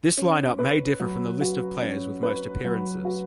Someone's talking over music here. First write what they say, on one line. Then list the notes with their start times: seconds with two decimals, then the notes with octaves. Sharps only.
This line-up may differ from the list of players with most appearances.
0.17 C#4
0.59 B4
1.00 F#3
1.41 F#4
1.82 C#4
2.23 B4
2.65 F#3
3.05 F#4